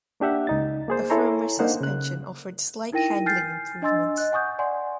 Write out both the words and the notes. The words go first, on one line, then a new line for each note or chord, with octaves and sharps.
A firmer suspension offered slight handling improvements.
A#3 D4 G4 E5 F#5
C#2 D#4 A6
A#3 G#4 C5
E4 A4 C#5 G#5 A#5 C6
A#3 D4 D#4 C5 F#5
C#3 F#6
D#4 E4 A#4 G5 A#6 D#7
G#5 F6 G6 A6 C7
D4 D#5 G#5 C6 E6 A6
D#5 F#6
F#5 G#5 C#6 D#6 G6
D5 F#5 G#5 C6